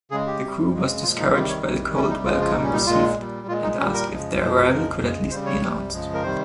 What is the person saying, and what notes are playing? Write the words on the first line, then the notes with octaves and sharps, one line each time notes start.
The crew was discouraged by the cold welcome received and asked if their arrival could at least be announced.
C#3 G#3 G#4
G4
C3 G3
C#3 G#3
A#2 F3 G#3 F4
D#4
C3 D#3 G3 F4
C#5
C3 D#3 G3 D#4
C3 G3 C#4
D#4
C#3 F3 G#3 F4
F4
A#2 G3 D#4
C#4
D#4
A#2 G#3 F4
A#2 G3
A#2 G#3 F4
D#4
A#2 G3 C#4
A#4
C#3 F3 G#3
A#2 F3 G#3 C5
C#3 F3 G#3 A#4
C#3 G#3
C#3 G3 C5
C#5
C3 G3
C#3 F3 G#3
A#4
C3 D#3 G3 C5